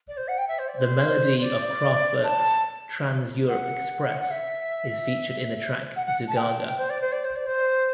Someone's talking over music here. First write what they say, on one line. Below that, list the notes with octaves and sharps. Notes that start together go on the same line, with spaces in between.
The melody of Kraftwerk's "Trans-Europe Express" is featured in the track "Zugaga".
D5
C5
F#5
G5
E5
C5
D5
C5
D5
A5
F#5
F#5
E5
F#5
F#5
A5
G5
C5
D5
C5
D5
C5
D5
C5